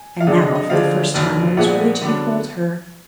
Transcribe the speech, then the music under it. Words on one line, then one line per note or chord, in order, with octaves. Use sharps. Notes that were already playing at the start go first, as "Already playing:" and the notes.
And now, for the first time, I was really to behold her....
Already playing: G#5
F5
F#2 D3 G#3 D4 D#5
D#5
D#5
D2 D3 F3 G#3 F5
F1 D#2 D3 F#3
A#1 A#2 F3 G#3 B3 F#5
D3 F#3 B3 D4